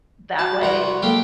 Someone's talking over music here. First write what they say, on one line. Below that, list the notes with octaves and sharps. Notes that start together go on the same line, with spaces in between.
that way.
F#4 A5
C2 G4 F#5 A#5
F#4
F#3 G#3 A#3 G4 A4 F5 G5